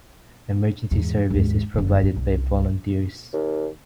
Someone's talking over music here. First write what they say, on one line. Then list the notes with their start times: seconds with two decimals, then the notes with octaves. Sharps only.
Emergency service is provided by volunteers.
0.91 E2 G#2
1.30 G#1 D#2
1.74 F#1 D3
2.03 G#2
2.16 C2
3.33 D#2